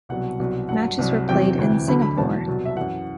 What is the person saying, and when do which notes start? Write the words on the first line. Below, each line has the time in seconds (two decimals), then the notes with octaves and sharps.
Matches were played in Singapore.
0.09 C2 B2 F#3 F#5
0.40 C2 B2 F#3
0.69 G2 F#3 F#5
0.99 C2 C3 F#3
1.29 E2 C3 F#3 G5
1.58 D2 C3 E3
1.88 D2 D3 F#3 B5
2.02 B5
2.17 E2 B2 F#3 A5
2.47 C2 B2 F#3
2.65 E5
2.77 F#2 E3 F#5